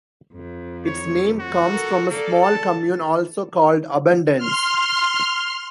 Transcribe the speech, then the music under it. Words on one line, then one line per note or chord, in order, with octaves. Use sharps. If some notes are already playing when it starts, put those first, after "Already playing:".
Its name comes from a small commune also called Abondance.
F2
C#5
F#4
A4 A#4
A#3 A4 D5
A5
C6 F6